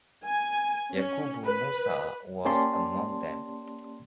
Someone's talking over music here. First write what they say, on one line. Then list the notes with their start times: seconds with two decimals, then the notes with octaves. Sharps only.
Yakubu Musa was among them.
0.25 G#5
0.93 C#4
1.46 B4
2.45 A#3 C#4 G4 D5 A5 C6